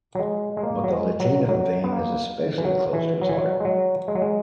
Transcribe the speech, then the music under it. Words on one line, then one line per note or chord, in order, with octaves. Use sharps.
But the Latino theme is especially close to his heart.
F#3
G#3
G#3
A#3
F#3
G#3
F#3
F#3
B3
A#3
E3
F#3
E3
F#3
E3
F#3
G#3
F#3
G#3
F#3
G#3